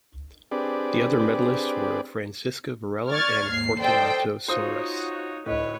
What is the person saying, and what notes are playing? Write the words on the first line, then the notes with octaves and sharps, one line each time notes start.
The other medallists were Francisca Varela and Fortunato Soares.
C4 D4 G4 G#4 B4 D5
D5 C#6 F6 G#6 A6
D#2 G#2 C7
A4 C5 D5 D#5 G5
D#4 F4 F#4 C5 C#5 D#6
D2 A2 B4 C#5 D#5